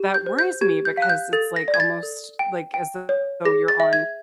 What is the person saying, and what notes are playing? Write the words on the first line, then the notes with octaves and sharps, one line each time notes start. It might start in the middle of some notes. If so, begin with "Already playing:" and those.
that worries me, because it's like almost, like, as though you're on
Already playing: G4
G6
C5
G6
G4 G#6
G6
F5 F#6
G6
A4 A6
A#6
D5
G#6
A6
A4
G5
G5
C#5
G#4 A#6
A6
E5
G#6